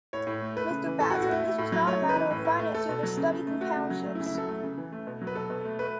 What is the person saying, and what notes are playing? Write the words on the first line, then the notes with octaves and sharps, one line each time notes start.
Mister Bazin, this was not a matter of financing this study through townships.
A2 C#5
A2
A3
A3 B4
C#3
E3
A2 A4
F#4
A2
F#4
A3 E4
A3
A2
F#3
A3 C#5
C#3
B4
E3
A2
A2
A3
A3 A4
B2
F#3
C#3
C#3
A3
A3 F#4
C#3
F#3
A3
E4
C#3
E4
F#3 A4
A3
C#3
E3
A3
B2
F#3
B4
B2 A4
B2
A3
A3 B4